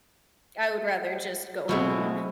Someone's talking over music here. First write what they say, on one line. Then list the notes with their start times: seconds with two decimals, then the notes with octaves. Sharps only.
I would rather just go home.
1.69 B2 F#3 G#3 A3 C4 E4